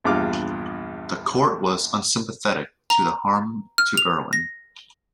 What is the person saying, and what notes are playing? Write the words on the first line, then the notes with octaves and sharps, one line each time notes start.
The Court was unsympathetic to the harm to Irwin.
A#1 E2 G2 F4 D6 F6
A#5
F6
F7
A#6